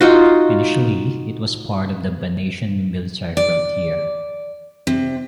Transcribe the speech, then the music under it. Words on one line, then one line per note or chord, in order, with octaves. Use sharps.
Initially, it was part of the Banatian Military Frontier.
D#4 F4 F#4
D5
C3